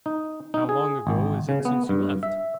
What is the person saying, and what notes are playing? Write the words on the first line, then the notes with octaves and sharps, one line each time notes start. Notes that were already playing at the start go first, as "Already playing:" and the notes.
'How long ago is it since you left?'
D#4
D#4
G#4
G#1
C#3
B3
G2
E5